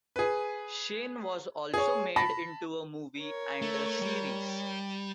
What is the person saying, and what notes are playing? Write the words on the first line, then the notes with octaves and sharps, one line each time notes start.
Shane was also made into a movie and a series.
G#4 B4
G#4 C#5
A5 B5 A#6
A#4 C#5
A3
G3